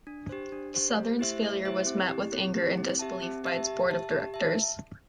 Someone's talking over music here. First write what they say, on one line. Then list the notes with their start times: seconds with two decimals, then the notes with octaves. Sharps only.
Southern's failure was met with anger and disbelief by its board of directors.
0.07 D4
0.29 G4 C5
0.52 D4
0.74 G4 C5
0.97 A3
1.19 E4 G4 C5 E5
1.42 A3
1.65 E4 G4 C5 E5
1.87 C4
2.09 E4 G4
2.32 C4
2.55 E4 G4
2.77 C4
2.99 G4 E5 A5
3.22 C4
3.44 G4 E5 A5
3.67 G4
3.89 E5 A5
4.12 G4
4.34 E5 A5